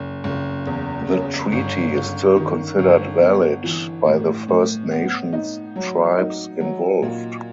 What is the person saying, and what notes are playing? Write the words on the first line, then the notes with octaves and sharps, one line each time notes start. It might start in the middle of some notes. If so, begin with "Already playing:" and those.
The treaty is still considered valid by the First Nations tribes involved.
Already playing: F#1
F#1
E2
C#3
G1
G1
D#3
G1
B3
E3
A2
A2
B3
D#4
F#3
D#4
F#3
A#2